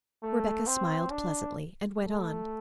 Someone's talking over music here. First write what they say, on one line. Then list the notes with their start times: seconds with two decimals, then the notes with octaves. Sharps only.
Rebecca smiled pleasantly, and went on.
0.23 A3
0.67 C4
1.11 D4
1.99 A3